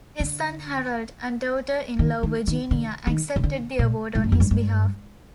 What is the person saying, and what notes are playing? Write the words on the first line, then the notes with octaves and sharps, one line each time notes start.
His son Harold and daughter-in-law Virginia accepted the award on his behalf.
D3
D#3
D#3
D#3
D3
D#3
C3
D3
A#2
A2
G2
F2
G2
G2